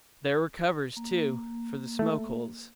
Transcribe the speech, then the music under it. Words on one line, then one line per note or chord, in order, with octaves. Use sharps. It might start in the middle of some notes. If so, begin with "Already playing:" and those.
There were covers, too, for the smoke-holes.
A#3
A3